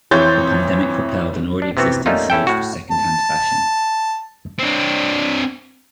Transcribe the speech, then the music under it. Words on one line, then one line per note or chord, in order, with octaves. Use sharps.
The pandemic propelled an already existing surge for secondhand fashion.
F2 E3 C#5 C6 G6 A6
D4
C3 E3 B3 C4 F#4
G3 A3 A#3 C#4 D#4 F4
C#4 E4 A4 G5
A2 F#4
A5
C4 D4